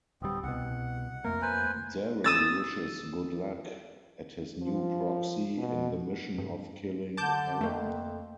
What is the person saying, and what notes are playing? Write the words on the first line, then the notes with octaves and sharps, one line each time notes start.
Daryll wishes "good luck" at his new proxy in the mission of killing Helen.
D1 G3 B3 C4
C2 B2 F#5
F2 A3 A#3 A#4
B4 C5 G#5
D#6 E6 A6
F3
B2
G2
D3 A5 D6 G6
F2 A3 A#3